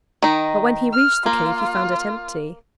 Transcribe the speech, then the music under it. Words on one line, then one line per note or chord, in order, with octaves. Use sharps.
But when he reached the cave he found it empty.
D#3 D#4
F6
A#3 F4